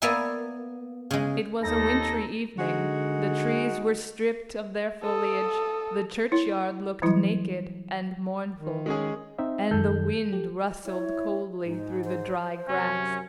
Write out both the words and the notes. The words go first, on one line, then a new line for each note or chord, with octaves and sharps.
It was a wintry evening: the trees were stripped of their foliage, the churchyard looked naked and mournful, and the wind rustled coldly through the dry grass.
A#3 B3 D5 E5 G#5
C#3 G#3
D#2 D#4 A4 A#6
D3 G#3 D#4 F#4
A4 D#6
E4 C#5
E3 F#3 G3 E4
D#3
G#3 C#4 G#4
C4 D#4 E5
F#2 D#3 A4 G6
G4
E4 C#5
G#2 D#4
C5
F#2 C3 F#3 C#4